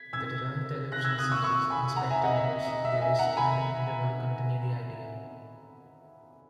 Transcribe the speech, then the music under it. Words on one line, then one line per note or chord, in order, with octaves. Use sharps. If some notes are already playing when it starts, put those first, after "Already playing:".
The derived television series, "Inspector Morse", "Lewis" and "Endeavour", continue the idea.
Already playing: G#6 B6
E6 G#6
F#6 A#6
E6 G#6
D#6 F#6
C#6 E6
C#6 E6
G#5 B5
F#5 A#5
E5 G#5
D#5 F#5
E5
D#5
E5
E5 G#5
F#5 A#5
G#5 B5